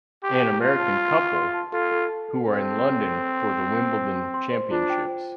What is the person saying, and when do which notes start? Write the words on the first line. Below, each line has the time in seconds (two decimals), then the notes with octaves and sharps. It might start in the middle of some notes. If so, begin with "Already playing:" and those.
An American couple who are in London for the Wimbledon Championships.
0.23 G4 C6
0.42 C5
0.61 F4 A5
0.80 A5
0.97 C6
1.17 C6
1.35 C6
1.54 A5
1.72 F4 A4
1.91 A4
2.09 A5
2.29 A4
2.47 C4 C5
2.65 A5
2.85 A4
3.03 A4
3.22 C6
3.41 C5
3.59 C5
3.77 C5
3.96 C5
4.15 C6
4.34 C6
4.52 C5
4.71 D4 F4
4.90 G5
5.08 C5